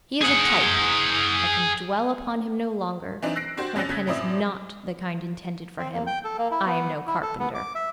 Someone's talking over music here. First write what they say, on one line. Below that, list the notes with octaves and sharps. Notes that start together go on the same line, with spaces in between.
He is a type; I can dwell upon him no longer; my pen is not the kind intended for him; I am no carpenter.
G#4 F#5
E3 C4 D4 D#4
E6 F#6 A#6 C7 D7
D4 F#4 G4 C5
F2 C#4 E6 F#6 A6 A#6
C#3 G#6 B6
F#2 A2 C4 E4 D5 D#6
C4
A#3
G5
A4
A#3
E4
B3
E4
A4
B3
D6
E5